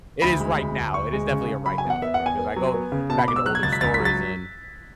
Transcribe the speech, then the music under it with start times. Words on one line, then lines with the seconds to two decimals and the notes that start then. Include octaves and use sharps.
It is right now; it is definitely a right now thing, because I go back into older stories, and
0.22 D2 B5
0.40 G#3
0.58 D2
0.76 D2
0.94 D2 C#6
1.13 G#3
1.31 C#3
1.48 C#3
1.66 F#3 B5
1.78 G#5
1.84 E2
1.90 F#5
2.02 B3 E5
2.14 F#5
2.20 E2
2.26 G#5
2.39 B3
2.56 F#3
2.74 B3
2.92 C#3
3.09 B2 A5
3.19 B5
3.27 B2 D6
3.36 E6
3.46 F#3 F#6
3.55 G#6
3.63 C#2 A6
3.73 B6
3.81 C#2 A6
3.94 B6
4.00 F#3
4.05 A6